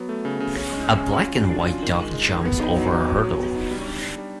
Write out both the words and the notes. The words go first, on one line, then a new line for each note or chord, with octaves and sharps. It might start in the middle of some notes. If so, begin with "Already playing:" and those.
A black and white dog jumps over a hurdle.
Already playing: F#3 B3
A3
C#3
C#3
C#4
G#3
G#3
C#4
F4
F#3
D4
F4
D#3
G#3
G#3
D#3
B3
D#4
F#3
D#4
F#3
F#3
B3
D#4
G3
D4
D4
G3